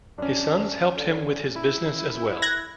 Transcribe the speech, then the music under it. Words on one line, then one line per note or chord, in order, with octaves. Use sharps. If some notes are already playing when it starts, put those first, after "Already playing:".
His sons helped him with his business as well.
F#2 C#4 D4
D3
E4
F#6 G#6 A#6